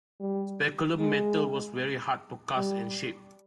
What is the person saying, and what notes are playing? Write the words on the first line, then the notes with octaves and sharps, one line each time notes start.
Speculum metal was very hard to cast and shape.
G3
G#3
G3